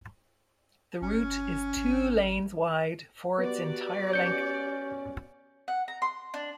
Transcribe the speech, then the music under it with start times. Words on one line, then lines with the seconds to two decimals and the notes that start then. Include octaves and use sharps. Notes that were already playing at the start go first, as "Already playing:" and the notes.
The route is two lanes wide for its entire length.
1.02 G1 C#4
1.77 G#1
3.38 B3 F#4 G4 D5
4.13 C#4 G6 C#7
5.68 F#5
5.88 A#5
6.02 C6
6.34 D4